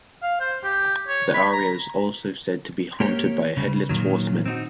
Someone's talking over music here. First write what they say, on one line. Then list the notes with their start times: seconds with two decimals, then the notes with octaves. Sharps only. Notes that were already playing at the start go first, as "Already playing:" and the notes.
The area is also said to be haunted by a headless horseman.
0.23 F5
0.40 C5
0.64 G4
1.08 C#5
1.34 B5
1.52 A#5
3.00 A#3 G4 A#4 C#5
3.57 C#3 G3
3.89 A#2 D#3 F#3
4.46 C4 D#4 F#4